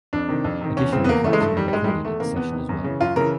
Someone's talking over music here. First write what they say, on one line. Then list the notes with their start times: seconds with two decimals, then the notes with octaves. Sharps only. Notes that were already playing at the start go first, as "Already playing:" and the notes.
Additional tracks were recorded at the session as well.
0.13 F2 D4
0.29 C3 D#3
0.44 F2
0.61 C3 D#3
0.77 E2 C#4
0.92 C#3 E3 C4
1.04 B3
1.09 E2 A#3
1.24 C#3 E3 A3
1.33 G#3
1.40 G2 A3
1.56 D#3 G3
1.68 G3
1.73 G2 G#3
1.84 G3
1.88 D#3 G#3
2.05 E2 A3
2.20 C3 D#3 A#3
2.36 E2 B3
2.52 C3 D#3
2.69 F#2
2.84 C#3 E3
3.01 F#2 F4
3.16 C#3 E3 A#4